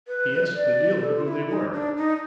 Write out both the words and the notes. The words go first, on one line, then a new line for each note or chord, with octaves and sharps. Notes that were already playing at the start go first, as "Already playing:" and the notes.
He asked the dealer who they were.
B4
D5
A#4
A4
F4
E4
D#4
D4
D#4